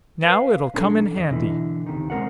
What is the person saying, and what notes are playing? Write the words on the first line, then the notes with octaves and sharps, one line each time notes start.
Now it'll come in handy.
B4 F5
B1 C#4 D4 A4 A#5
E2 D#5
B2 D3 E3 E4
C#2 C3 D#3
G#3 C4 D4 A#4 C#5 F#5